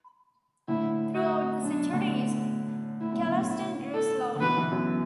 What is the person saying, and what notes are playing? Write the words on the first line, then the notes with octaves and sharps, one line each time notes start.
Throughout the centuries, Chellaston grew slowly.
A2 D3 E4
F#4
F#2 B2 D4
A2 D3
A2 E4
F#2 B2
A2 D3
A2 D3
E4
A4
D3
B2 E3 B4
B2 E3
F#2 B2